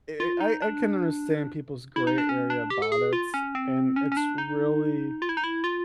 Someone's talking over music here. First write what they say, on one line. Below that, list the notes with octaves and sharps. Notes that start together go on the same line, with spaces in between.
I I I can understand people's gray area about it, and it's really
F4
D#4
D4
E4
D#4
D4
C#4
D4
G4
A4
G#4
F4
C#4
C4
C#4
C#4
D4
D#4
F4
E4
D#4
E4
F4